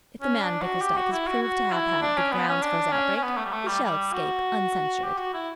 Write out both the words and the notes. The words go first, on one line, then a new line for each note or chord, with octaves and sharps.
If the man Bickersdyke is proved to have had good grounds for his outbreak, he shall escape uncensured.
C#4
D4
F#4
G4
F#4
E4
F#4
F#4
E4
D4
C#4
B3
C#4
D4
C#4
C#4
B3
A3
G3
A3
G3
G3
F#4
G4
F#4
E4